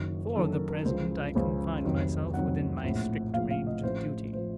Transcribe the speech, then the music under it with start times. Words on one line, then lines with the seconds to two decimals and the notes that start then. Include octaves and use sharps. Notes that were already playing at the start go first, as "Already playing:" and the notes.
For the present, I confine myself within my strict range of duty.
Already playing: F#1 F#2 D#3 F#3 F#4
0.36 F#1 F#2 D#3 F#3 A4
0.52 A#4
0.69 A#4
0.86 C#2 C#3 F3 C5
1.35 C#2 C#3 F3 C5
1.84 F1 F2 D#3 F#3
2.34 F1 F2 D#3 F#3 F#5
2.84 A#1 A2 F3
3.34 A#1 A2 F3 F5
3.51 F5
3.67 D#5
3.83 A1 A2 F3 C5
4.33 A2 F3 C5